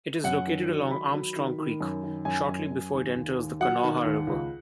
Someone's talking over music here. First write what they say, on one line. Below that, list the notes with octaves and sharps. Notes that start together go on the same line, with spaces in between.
It is located along Armstrong Creek shortly before it enters the Kanawha River.
F#2 F#5
D#3
F#3
D#3 B5
F#3
D#3
D#3
F#2
D#3
F#2 G#5
F#2
F#2
D#2
D#2
D#2
F#3 F#5
D#3
D#2
C#2